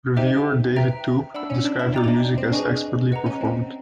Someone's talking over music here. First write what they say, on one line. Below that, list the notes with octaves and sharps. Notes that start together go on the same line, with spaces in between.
Reviewer David Toub described her music as "expertly performed".
D#4 G4 C5 E5 G5
B4 E5 G5 A#5
D4 F#5 B5 E6
C#4
D4
E4
D#4 D5 G5 A#5 D6
D#4
D4
C4
D4 G#4 B4 D#5 G#5 C#6
B4 D#5 F#5 A#5
C#4
C4